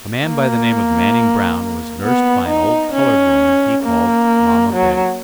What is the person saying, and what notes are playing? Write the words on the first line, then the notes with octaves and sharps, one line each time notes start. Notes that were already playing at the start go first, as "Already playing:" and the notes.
A man by the name of Manning Brown was nursed by an old colored woman he called mamma Betty.
A#3
B3
D#4
C#4
A#3
F#3